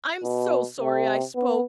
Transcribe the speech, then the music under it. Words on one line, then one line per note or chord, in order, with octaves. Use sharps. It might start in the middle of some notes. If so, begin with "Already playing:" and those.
I'm so sorry I spoke.
B2
C3
B3